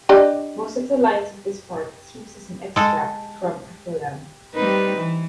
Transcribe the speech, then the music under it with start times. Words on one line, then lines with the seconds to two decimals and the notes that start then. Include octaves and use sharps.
Most of the lines of this part seems as an extract from Akilam.
0.09 D4 G4 D#5
2.76 G#3 A4
4.55 G3 C4 D#4 B4
4.96 E3